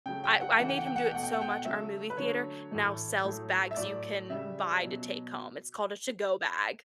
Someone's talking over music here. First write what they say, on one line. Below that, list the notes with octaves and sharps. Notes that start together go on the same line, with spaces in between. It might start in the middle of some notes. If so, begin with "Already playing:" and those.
I w I made him do it so much, our movie theater now sells bags you can buy to take home, it's called a to-go bag.
C#3 F#3 A3 G5
G5
F#5
G5
C#3 E3 A3 F#5
G5
F#5
G5
F#5
G5
B2 A3 F#5
G5
F#5
G5
F#5
C#3 F#3 A3 E5
B4
D3 F#3 A3 C#5
A2 E3 A3
A2 F#3 A3
E5
A2 F#3 A3 D5
C#3 G3 E5
B2 F#3